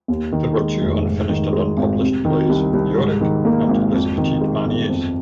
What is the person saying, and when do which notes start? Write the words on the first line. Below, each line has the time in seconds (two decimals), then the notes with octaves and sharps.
There were two unfinished and unpublished plays - "Yorick" and "Les Petites Manies".
0.08 D#2
0.32 D#3
0.57 G#3
0.81 F1
1.05 G#2
1.29 D#3
1.53 G#3
1.77 G#1
2.01 C3
2.25 D#3
2.49 C2
2.73 C2
2.97 G#2
3.21 D#3
3.45 A#3
3.69 G#1
3.93 F2
4.18 D#3
4.41 G#3
4.65 G1
4.89 F2